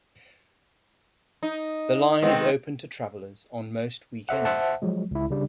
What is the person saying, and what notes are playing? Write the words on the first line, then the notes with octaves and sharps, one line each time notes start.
The line is open to travellers on most weekends.
D#4
D#3 G#3 B3 C4 D#5
A4 C5 E5 F#5
C5 E5 F#5 A5
F3 F#3 G#3
C#2 E4
C#3 G3 D4